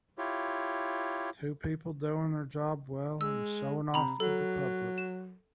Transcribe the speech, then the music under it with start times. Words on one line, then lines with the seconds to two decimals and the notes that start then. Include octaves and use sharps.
Two people doing their job well and showing off to the public.
0.18 E4 F4 G4 C#5
3.21 G#3 E6
3.94 C3 A#5 B5
4.20 F#3 A4
4.98 E7